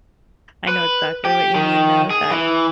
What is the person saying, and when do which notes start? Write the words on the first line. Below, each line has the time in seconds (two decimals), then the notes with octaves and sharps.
I know exactly what you mean, though, that,
0.68 B4
1.25 G4
1.55 D#3
2.10 G#4
2.31 E3